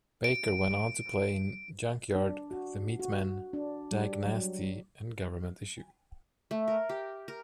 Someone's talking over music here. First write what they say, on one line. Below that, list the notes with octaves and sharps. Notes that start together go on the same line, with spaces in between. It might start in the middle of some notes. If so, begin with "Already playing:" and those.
Baker went on to play in Junkyard, the Meatmen, Dag Nasty and Government Issue.
D7
D4
F#4
F#4
D4
G3
F#3
A3
A#4
G4
A#4